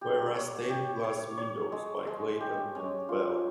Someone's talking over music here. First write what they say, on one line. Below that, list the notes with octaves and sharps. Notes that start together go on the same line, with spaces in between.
There are stained glass windows by Clayton and Bell.
G4
C#5
G4
C#5
C#5
G#3
G#3
G4
C#4
F4